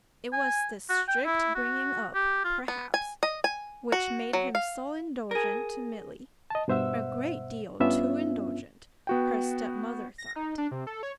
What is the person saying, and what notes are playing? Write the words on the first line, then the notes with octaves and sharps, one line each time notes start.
It was this strict bringing-up, perhaps, which made him so indulgent to Milly,--a great deal too indulgent her step-mother thought.
G#5
F#4
G5
E4
F#4
G4
F4
B3
G#5
D#5
G#5
F#4
F#3
F5
G#4 A#4
D#5 A5
G2 B2 C5 E5 F#5 E6
G2 B3 C#4 D4 F4 E5
B3 F#4 G5
A#6
D#4
D4
C3
A4
C#5